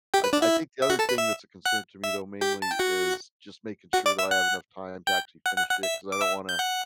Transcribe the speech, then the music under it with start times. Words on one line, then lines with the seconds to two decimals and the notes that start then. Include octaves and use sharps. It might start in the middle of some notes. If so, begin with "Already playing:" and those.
I I think the other thing that's a concern to me though, mainly is just making sure that I have enough time to actually finish it, 'cause I don't wanna
0.14 G4 G5
0.24 B4
0.33 D4 D5
0.42 E4 E5
0.82 E5
0.90 F#4 F#5
0.99 A4 A5
1.09 B4 B5
1.18 E5 E6
1.65 F#5 F#6
2.04 E5 E6
2.41 G4 G5
2.62 A5
2.71 G5
2.79 F#4 F#5
3.93 F#4 F#5
4.06 D5 D6
4.19 E5 E6
4.31 F#5 F#6
5.07 G5 G6
5.46 F#5 F#6
5.58 F#5 F#6
5.70 F#5 F#6
5.83 E5 E6
6.12 D6
6.21 E5 E6
6.49 G6
6.59 F#5 F#6